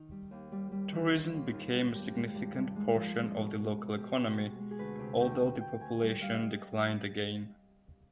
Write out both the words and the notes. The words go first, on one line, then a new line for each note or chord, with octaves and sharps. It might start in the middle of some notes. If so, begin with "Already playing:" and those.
Tourism became a significant portion of the local economy, although the population declined again.
Already playing: D#3 D#4
G3
D#2
G3
G3
D#3
D#3
D#2
D#4
G2 F4
G#3
G2 G4
G#3
G2
G2
G#3
F3
G#3
B2
G#3
B2
B2 G4
B2
G#3
G#3
G#4
D2 B4
C3
D2 G5
D2
D2 G5
D2 G#5
G3 G5
G3 F5
D#5
G3